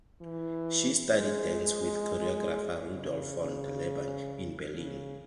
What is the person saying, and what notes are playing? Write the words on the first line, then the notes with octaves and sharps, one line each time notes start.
She studied dance with choreographer Rudolf von Laban in Berlin.
E3
G#3
C#3
C#3
C#3